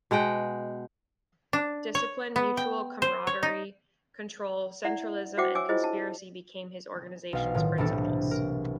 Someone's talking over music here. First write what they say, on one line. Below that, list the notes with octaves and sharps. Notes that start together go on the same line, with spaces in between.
Discipline, mutual comradely control, centralism and conspiracy became this organization's principles.
B2 G#3 F#5 G5
D4
C#5
B3
G5
C5
C#5
D#4
E4 D5 E5 F#5
F#4 C5 E5 F#5 G5 D6
D4 C#5 G#5 D6 E6
E4 F4 G#4 C5 D#5
D4 A5
B1 F5
A2 D#3 F#3 F4
E1 C2 A2 A#3 D4 A4
A#4